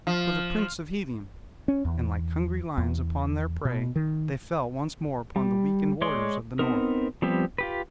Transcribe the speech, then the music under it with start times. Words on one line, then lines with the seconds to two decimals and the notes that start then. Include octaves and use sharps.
"For the Prince of Helium!" and, like hungry lions upon their prey, they fell once more upon the weakening warriors of the north.
0.07 F3
1.68 C#4
1.85 E2
2.78 E2
3.65 B2
3.96 D#3
5.36 G3
6.02 G#3 C#5 D5 C6
6.59 B3 C4 D#4 A#4
7.22 F3 G3 B3 C4 G4
7.58 F4 G4 B4